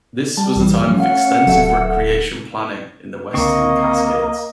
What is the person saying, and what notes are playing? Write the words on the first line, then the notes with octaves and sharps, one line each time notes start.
This was a time of extensive recreation planning in the western Cascades.
G3 A5
A#1 G2 E3
F3 G3 C#4
A3 F5 F#5
D1 F#3 A4 E5
C#2 D3 A#3 C4 D#5 C#6